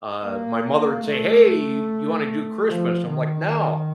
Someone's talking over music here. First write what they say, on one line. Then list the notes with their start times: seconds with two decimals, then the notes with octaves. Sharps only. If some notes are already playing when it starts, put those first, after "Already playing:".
uh, my mother would say, "Hey, you wanna do Christmas?" I'm like, "No,
0.24 A#3
1.05 A3
2.67 F3
3.08 D#3